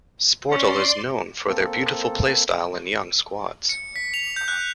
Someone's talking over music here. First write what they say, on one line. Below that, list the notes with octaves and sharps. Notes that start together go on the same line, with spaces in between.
Sportul is known for their beautiful play-style and young squads.
C#4 D5 C6
A#3 C4 A4
C#7
B6
F7
G6
F#6